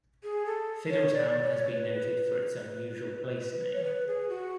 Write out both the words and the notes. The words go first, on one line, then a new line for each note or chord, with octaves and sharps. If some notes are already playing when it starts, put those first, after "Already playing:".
Fiddletown has been noted for its unusual place name.
G#4
A4
C#5
D5
C#5
B4
C#5
B4
G#4
F#4